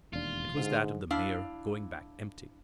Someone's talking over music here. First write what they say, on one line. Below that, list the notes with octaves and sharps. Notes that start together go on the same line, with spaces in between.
It was that of the mayor, going back empty.
E1 D#2 D4 F4
G#2 D3
D4 E4 F5